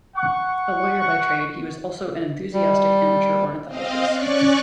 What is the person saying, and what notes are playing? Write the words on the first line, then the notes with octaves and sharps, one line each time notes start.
A lawyer by trade, he was also an enthusiastic amateur ornithologist.
F#5 C#6
G3
C4 D#5 F5
C#4 D5 C#6 F#6